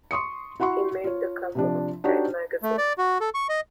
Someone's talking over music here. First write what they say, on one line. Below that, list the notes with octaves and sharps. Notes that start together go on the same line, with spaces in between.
He made the cover of "Time" magazine.
C6 C#6 D#6 C#7
E4 F#4 F#5 C6 C#6
F4 C#5
C3 F3 D4
D4 D#4 F#4 G4 C#5
A3
D5
F#4
A4
C#6
D#5